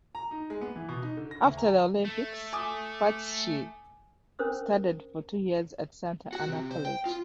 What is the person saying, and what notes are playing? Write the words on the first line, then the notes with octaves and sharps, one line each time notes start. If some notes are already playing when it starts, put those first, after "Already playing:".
After the Olympics Furtsch studied for two years at Santa Ana College.
A#5
D#4
G#3
B3
E3
B2
D#4
D3
A#6
D2
A#5
A3
G#5 D6 D#6
C#4 D4 A#4 C5 D#6 E6
F#4
C3
C5
G5
F4